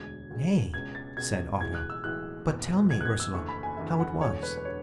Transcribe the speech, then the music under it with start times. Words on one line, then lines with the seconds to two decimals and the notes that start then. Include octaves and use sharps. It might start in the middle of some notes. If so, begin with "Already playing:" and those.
"Nay," said Otto, "but tell me, Ursela, how it was."
Already playing: E1 D2 D3 G#3 G#6
0.30 E1 D2 D3 G#3
0.73 C#2 B2 G#3 C#4 G#6
0.95 A6
1.17 C#2 B2 G#3 C#4 G#6
1.60 B1 A2 E3 G#3 G#6
1.75 F#6
1.90 E6
2.04 B1 A2 E3 G#3 F#6
2.47 F#1 E2 B2
2.91 F#1 E2 B2 G#6
3.01 F#6
3.05 G#6
3.20 E6
3.34 F#1 E2 D3 A3 C#6
3.49 B5
3.63 G#5
3.77 F#1 E2 D3 A3 E5
4.00 F#5
4.21 E1 E2 D3 A3 C#5
4.43 B4
4.57 B4
4.65 D3 A3 C#5